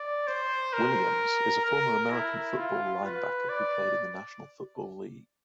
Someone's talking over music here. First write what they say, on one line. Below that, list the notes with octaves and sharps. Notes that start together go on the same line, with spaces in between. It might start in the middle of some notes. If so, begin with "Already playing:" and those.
Williams, is a former American football linebacker who played in the National Football League.
Already playing: D5
C5
A#4
A#4
E4
F4
B4
D5